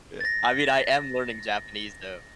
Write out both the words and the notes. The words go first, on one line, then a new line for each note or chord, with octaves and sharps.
Yeah. I mean, I am learning Japanese though,
A6 A#6